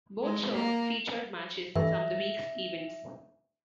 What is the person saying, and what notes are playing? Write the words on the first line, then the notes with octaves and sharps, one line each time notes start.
Both shows featured matches from the week's events.
G#3
A#3
G2 E3 A3 E5